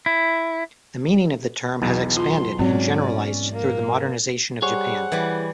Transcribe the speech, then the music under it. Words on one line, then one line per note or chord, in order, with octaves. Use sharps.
The meaning of the term has expanded and generalized through the modernization of Japan.
E4
B1 E2 B2
F4 C6
G#2 F#3 C4 C#4 D5
A#3
G3 G#4 C5 C#5 F#5
E3 G3 E4